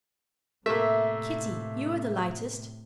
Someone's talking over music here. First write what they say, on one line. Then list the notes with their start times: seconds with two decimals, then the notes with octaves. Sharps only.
Kitty, you are the lightest.
0.66 A2 C3 A3 A#3 E5